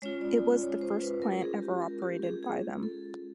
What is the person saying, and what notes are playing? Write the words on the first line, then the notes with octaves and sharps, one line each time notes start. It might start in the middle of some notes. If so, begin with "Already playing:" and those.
It was the first plant ever operated by them.
G#3 C#4 F4 C#5
D5
C#5
C5
B4
A#4
G#4
G4
A#4
G4
G#4
G#4
A4